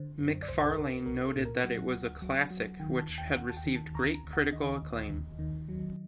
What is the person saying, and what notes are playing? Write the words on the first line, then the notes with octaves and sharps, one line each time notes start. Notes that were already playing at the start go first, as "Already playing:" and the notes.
McFarlane noted that it was a "classic" which had received "great critical acclaim".
Already playing: D3 C5
F#2
D5
C2 C5
A4
C2 A#4
C2 A#4
A4
A#2
A#4
F#3 F#5
D2
F#3
F#3
D#3 G5
A5
D#2
G5
D#2 F#5
A5
G5
D#3
A5
D2 A#5
A#5
D2
F#5
D#3 D#5
D2
D#2
D#3
F#3